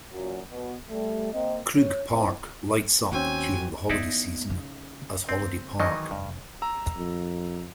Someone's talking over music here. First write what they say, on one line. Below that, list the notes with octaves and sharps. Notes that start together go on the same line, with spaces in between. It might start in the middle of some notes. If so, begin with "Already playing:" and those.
Krug Park "lights up" during the holiday season as Holiday Park.
F#2 A#2 F#3
B2
G3 A3
A#3 C4 D#5
C#5
F2 A#2 C4 E4 C5 D#5
D#2 C4 C#4 F#4 G#5
B3 D#4 E4 D5
C#3
C4
D#3 E3 F#3 D#5
F1 G2
A#5 E6
F2